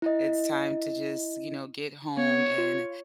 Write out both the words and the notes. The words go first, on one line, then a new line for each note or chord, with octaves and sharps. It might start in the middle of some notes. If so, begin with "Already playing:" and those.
it's time to just, you know, get home and
E4 D#5
B3 C#5
F4